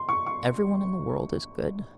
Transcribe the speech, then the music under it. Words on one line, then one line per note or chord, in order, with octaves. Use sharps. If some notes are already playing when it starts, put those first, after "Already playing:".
Every one in the world is good.
Already playing: C6
C#6
C#6